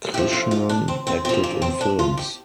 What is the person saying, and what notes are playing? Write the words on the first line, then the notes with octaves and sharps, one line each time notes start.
Krishnan acted in films.
A2 F3 G4
F4
F4
D4
C4
C4
A#2 F3 C4
A#3
C4
D4
F4
G4